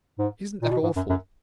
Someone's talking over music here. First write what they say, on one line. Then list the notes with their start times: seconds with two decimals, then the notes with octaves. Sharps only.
Isn't that awful!
0.19 G#2
0.62 A#2
0.70 B2
0.83 G#2
0.96 F#2
1.09 F#2